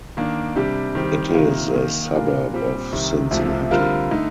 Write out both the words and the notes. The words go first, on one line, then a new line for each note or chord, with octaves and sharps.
It is a suburb of Cincinnati.
D#3 A#3 D4
C3 G3 D4 G4
D#3 G3 C4 G4
C3 D#3 A#3 F4
D#3 A#3 D#4
A#2 G3 D4 F4 A#4
A#2 G3 C4 G4
C2 C3 D#3
C2 C3 F3 A3
D3 G3 C4 F4 A#4
D3 A3 D#4